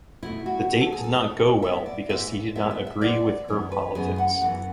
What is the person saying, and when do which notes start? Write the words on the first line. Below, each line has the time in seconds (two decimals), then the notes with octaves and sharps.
The date did not go well because he did not agree with her politics.
0.23 B2 A3 E4
0.46 F#4
0.69 B2 A3
0.81 A4
0.92 G#4
1.04 A4
1.15 B2 A3 A4
1.62 G#2 G#3 B3 E5
1.86 D5
2.09 G#2 G#3 B3 E5
2.55 G#2 G#3 B3 E5
2.71 E5
2.87 E5
3.01 G#2 G#3 B3 D5
3.48 F#2 E3 B3 C#5
3.72 B4
3.95 F#2 E3 B3 G#4
4.18 F#5
4.41 F#2 E3 B3 F#5